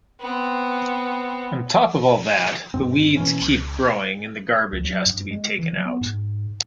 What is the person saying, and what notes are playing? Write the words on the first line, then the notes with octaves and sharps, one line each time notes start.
On top of all that, the weeds keep growing and the garbage has to be taken out.
B3 C4
G2 C4
B2 E3 A#3 C#4
C#2
D2
F#3
G2
G#3
E3
F#3
B3
G#2